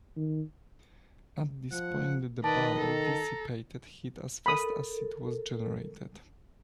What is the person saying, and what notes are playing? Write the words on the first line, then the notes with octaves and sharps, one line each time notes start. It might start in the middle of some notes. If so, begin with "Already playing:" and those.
At this point the barrel dissipated heat as fast as it was generated.
D#3
F3 F#5
D#3 B4 D5 D#5 A5
A4 A#5
A4 A#4 B5 D#6